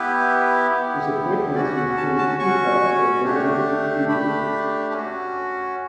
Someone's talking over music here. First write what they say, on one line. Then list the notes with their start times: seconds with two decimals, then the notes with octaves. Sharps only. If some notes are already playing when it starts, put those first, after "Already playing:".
His appointments include prefect of Roman Egypt.
Already playing: B3 E4 G4 B4
0.71 B3 E4 G4
1.55 C#4 F#4 D5
1.76 F#5
1.97 A5
2.18 A5
2.39 C#4 F#4 C#6
3.24 A3 D4 G4
4.09 A3 D4 G4 B5
4.93 C#4 F#4